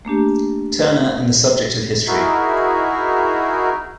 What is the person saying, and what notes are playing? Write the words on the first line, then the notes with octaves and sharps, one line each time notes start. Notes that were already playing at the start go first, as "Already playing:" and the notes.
Turner and the Subject of History.
A3 A#3 D4 G4
D#4 E4 F#4 G#4 A#4 E5